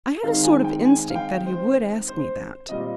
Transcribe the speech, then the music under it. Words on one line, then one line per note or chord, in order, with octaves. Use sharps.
I had a sort of instinct that he would ask me that.
D#3 G#3 C4 D#4 F5
G#5
G5
G#5
F5
G5
C5
C5
A#2 G3 C4 F4 D#5